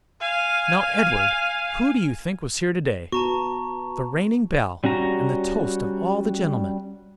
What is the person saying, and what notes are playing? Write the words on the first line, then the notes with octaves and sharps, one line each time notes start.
"Now, Edward, who do you think was here to-day--the reigning belle, and the toast of all the gentlemen?"
F5 G#5
B3 F#4 A5 A#5 C#6
G3 C#4 F#4 A#5